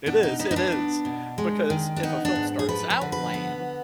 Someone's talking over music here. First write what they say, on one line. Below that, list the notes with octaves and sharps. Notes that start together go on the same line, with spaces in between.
It is, it is. Because if a film starts out lame
B2 D4
D#4
B3 D#4
D#4
D4
B3
B2
G#3
D#3
D4
B3 D#4
D4
G#2
G#4
F3 B4
B4
D3
B4
B3